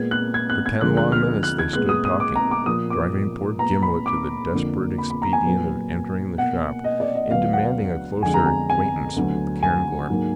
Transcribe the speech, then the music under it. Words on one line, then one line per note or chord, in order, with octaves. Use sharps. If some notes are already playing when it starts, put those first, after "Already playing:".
For ten long minutes they stood talking, driving poor Gimblet to the desperate expedient of entering the shop and demanding a closer acquaintance with the cairngorm.
Already playing: A#2 G#3 B3 G#6
F#6
G#6
F#6
G#6
D2 D3 F3 G#3 B3 F#6
F#6
F6
F#6
G#6
A#2 G#3 B3 F#6
D#6
D#6
D6
A#5
D6
A#2 F3 A#3 D#6
D6
A#2 G#3 B3 A#5
B5
D6
F2 D3 F3 A#3
B5
B5
A#5
G#5
A#2 F#3 B3
B2 A#3 F#5
D#5
D5
D#5
D2 D3 F#3 B3 F5
F#5
F2 D3 G#3 G#5
A#5
G#5
G#5
D2 D3 F#3 B3
G#5
G#2 F#3 A#3